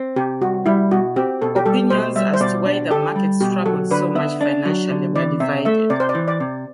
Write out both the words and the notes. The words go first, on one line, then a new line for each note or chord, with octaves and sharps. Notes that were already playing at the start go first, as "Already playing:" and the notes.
Opinions as to why the market struggled so much financially were divided.
Already playing: C4
C3 G4
C2 F#4
G3 E4
B2 F#4
C4 G4
B2 A4
G4
G3 A4
B2 C5
G3 E5
C5
B2 D5
D4
G4 A4
G3
B2 G4
F#3 A4
D3 B4
B3 E5
D4
F#3
D3
E3 D5
C3 E5
A3 E5
C3 D5
C5
D5
E3
D5
C3